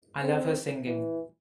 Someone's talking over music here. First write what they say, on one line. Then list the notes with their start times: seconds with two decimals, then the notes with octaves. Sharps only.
I love her singing.
0.22 C4
0.86 E3